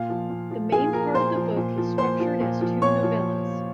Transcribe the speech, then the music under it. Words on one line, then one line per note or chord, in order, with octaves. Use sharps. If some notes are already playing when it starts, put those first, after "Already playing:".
The main part of the book is structured as two novellas.
Already playing: A#2 F4 F5
F3
A#2
F3
A#2 G#4 G#5
F3 A#4 A#5
A#2 C5 C6
F3
A#2
F3
A#2 C5 C6
F3
A#2
F3
A#2 C#5 C#6
F3